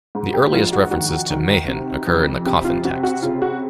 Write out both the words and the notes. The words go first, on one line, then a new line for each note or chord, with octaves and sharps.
The earliest references to Mehen occur in the Coffin Texts.
G#2
G4
A#1 F4
F#4
D#3 F#4
D#3
C3
F2
C3 G4
F4
C3 F#4
F#4
C#3 F4
F#4